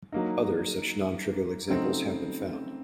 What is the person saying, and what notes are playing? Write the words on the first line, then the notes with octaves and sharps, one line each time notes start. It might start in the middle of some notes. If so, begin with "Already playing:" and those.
Other such nontrivial examples have been found.
F#3 A#3 D#4
C#3 F#3 A3 C4 D#4